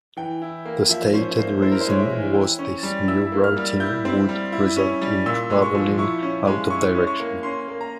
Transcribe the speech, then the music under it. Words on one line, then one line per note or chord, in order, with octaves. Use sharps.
The stated reason was this new routing would result in traveling "out-of-direction".
E3 G5
E4
A#3
F3 E5
C#4 C5
A#3 C5
E4 C5
A#4
C5
G#3 C#5
E5
E3
E4 G5
C#4
G3
E4 E6
A#3
F6
G3
E4 G6
C4
G3
E4
C#4
G3
A#2 E6
G#3
C#6
F3
E4 C#6
C#4
G#3
E4 C#6
C#4
C#6
A#3
C#4 C6
A#3
A#5